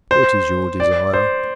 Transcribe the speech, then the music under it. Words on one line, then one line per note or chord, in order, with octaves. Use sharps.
"What is your desire?"
C5
D5
C5